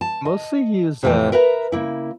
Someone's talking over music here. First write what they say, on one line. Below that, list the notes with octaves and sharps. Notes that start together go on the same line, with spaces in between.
mostly use, uh,
A5
D#5
F2 C3 E3 A3 G5
A#4 B4 E5 G5 A#5
C#3 A#3 E4